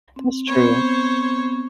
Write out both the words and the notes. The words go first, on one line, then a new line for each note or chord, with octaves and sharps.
That's true.
C4
B3 C4 C5 C#5